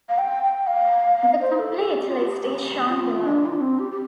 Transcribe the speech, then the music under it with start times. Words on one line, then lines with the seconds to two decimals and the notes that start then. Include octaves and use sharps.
The complete list is shown below.
0.09 F5
0.18 G5
0.43 G5
0.67 F5
1.41 C5
1.59 A4
1.77 A4
1.96 G4
2.09 F4
2.22 G4
2.88 F4
3.24 D4
3.46 F4
3.53 D4
3.60 C4
3.79 G4
3.91 G4